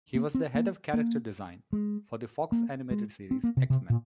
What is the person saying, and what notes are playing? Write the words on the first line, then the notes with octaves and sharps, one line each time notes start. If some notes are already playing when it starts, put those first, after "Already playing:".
He was the head of character design for the Fox animated series "X-Men".
A#3
C4
A#3
A#3
G#3
A#3
G#3
C4
A#3
C3
C3
A#2